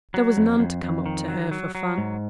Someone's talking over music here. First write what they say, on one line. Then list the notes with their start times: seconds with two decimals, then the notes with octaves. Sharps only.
There was none to come up to her for fun.
0.14 F#3
0.37 F2
0.59 F2
0.83 F2
1.06 D#3
1.28 F#3
1.51 F#3
1.75 F#3
1.98 G#2